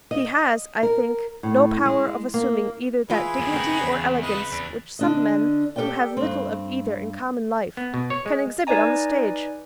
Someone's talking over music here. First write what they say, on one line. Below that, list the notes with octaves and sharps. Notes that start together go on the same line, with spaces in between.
He has, I think, no power of assuming either that dignity or elegance which some men, who have little of either in common life, can exhibit on the stage.
D#5
A#4
A2
G#3
A#3
E3 E4 F4 G#4 B4
F#2 D#3
C#3 C4 F#4 A#4
E2
F4 B4 D#5
E2
D3 D4 D#5
G4 A4 A#4 C#5 D5 G5
G2 C4
B3
B2
C#5
G#3
D#4 B4 D5 D#5 G#5 A#5